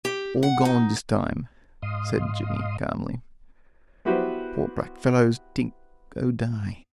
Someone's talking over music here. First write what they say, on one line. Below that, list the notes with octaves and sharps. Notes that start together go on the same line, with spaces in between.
All gone dis time," said Jimmy calmly. "Poor black fellows tink go die.
G4
F#5
D#4
G#2 D#5 F5 C6 D#6
B3 E4 F#4 G4 B4 C5